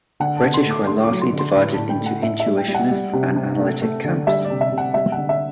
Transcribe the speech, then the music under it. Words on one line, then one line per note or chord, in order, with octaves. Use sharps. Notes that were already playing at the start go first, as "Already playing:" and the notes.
The British were largely divided into intuitionist and analytic camps.
D3 F#5
A5
D3
C6
A3 D6
A3 C6
D6
F#3
C6
D3
C6
A2 B5
A2 A5
G5
A3
F#5
A2 E5
E5
G3
G5
G3
F#5
G3
C3
C3
A3
A3
D3
G3 E5
D5
C3
E5
C3
F#5
G3 E5
D3 F#5
E5